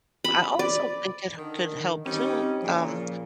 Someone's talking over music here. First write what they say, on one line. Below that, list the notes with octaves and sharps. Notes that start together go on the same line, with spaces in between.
I also think it h could help too, um,
B5
D5
D3 D#3
D#3
G3 C4 C#4 D#4
A#2 C#3 F3